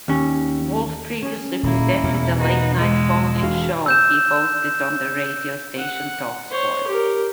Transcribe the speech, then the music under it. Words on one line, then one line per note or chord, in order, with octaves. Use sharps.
Wolf previously presented a late-night phone-in show he hosted on the radio station Talksport.
D#2 C#4
C#4 G#4
D#1 A#3 E4
E2 B2
A#3 D#4 F#4 B4
G#2 G#3 E6
E1 G#4 F5
E6 G6 E7
F#5
C5 C#5
G4 A#4